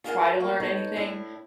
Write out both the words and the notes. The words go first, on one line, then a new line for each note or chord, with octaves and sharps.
try to learn anything
F4 G#4 A#4 F#5
A#3 F#4
D#4 A4 B4 C#5
A2 D4 E4